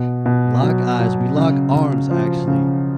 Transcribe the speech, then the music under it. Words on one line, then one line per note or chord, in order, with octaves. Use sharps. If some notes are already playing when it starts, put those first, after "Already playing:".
lock eyes, we lock arms, actually,
Already playing: B2
B2
F#3
F#3
C#3
C#3
F3
C#3